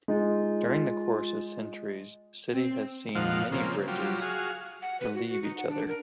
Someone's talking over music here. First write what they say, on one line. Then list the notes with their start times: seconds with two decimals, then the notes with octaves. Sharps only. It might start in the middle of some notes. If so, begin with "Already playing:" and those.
During the course of centuries, the city has seen many bridges relieve each other.
0.08 G#3 D#4 F4
2.54 C4
3.15 F2 A#2 D#3 F3 F5 F#5
3.52 C#3 F3 A#3 C4
3.88 F#3 G3 F4
4.22 F#4 G#4 F5
4.82 F#5
5.01 B4
5.14 F#4
5.29 F#4
5.43 D#4
5.57 F#5
5.69 D4
5.88 A#4